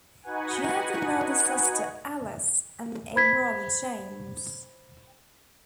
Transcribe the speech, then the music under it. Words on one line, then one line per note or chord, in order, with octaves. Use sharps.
She has another sister Alice and a brother, James.
D#4 F#4 B4 F#5 G#5
C5 B5 G#6 B6